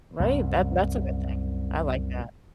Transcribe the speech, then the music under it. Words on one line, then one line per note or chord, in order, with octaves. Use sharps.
Right. That that's a good thing. I like that.
C2 F#2